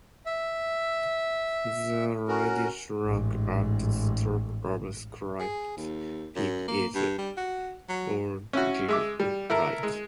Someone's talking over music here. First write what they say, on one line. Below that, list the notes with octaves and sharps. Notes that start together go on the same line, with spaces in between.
The reddish rock at the top of Crypt Peak is argillite.
E5
C#4 F#4 A#4
A1 G#2
G#4
D#2
F#2
A#3
G2
G3
F#4
F#3
C#4 E4 F#4
G#3 E5 D6
G3
E4 A4 A#4
G#3